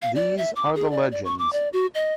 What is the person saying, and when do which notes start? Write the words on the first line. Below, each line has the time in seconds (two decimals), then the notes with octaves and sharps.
These are The Legends.
0.02 F5
0.15 D5
0.38 E5
0.56 D6
0.75 G#4
0.91 D5
1.12 D5
1.25 C#6
1.39 D6
1.53 D5
1.73 F#4
1.95 D#5